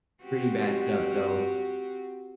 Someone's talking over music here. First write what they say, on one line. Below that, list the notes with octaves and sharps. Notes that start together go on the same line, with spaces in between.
Pretty bad stuff, so,
C4 F#4 G4